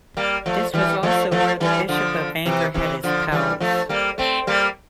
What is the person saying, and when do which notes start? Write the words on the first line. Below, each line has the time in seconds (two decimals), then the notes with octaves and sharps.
This was also where the Bishop of Bangor had his palace.
0.17 G3 A#3
0.46 F3 A3
0.74 E3 G3
1.03 F3 A3
1.31 F3 A3
1.60 E3 G3
1.89 D3 F3
2.46 C3 E3
2.74 C3 E3
3.04 D3 F3
3.32 E3 G3
3.60 F3 A3
3.89 G3 A#3
4.18 A3 C4
4.47 G3 A#3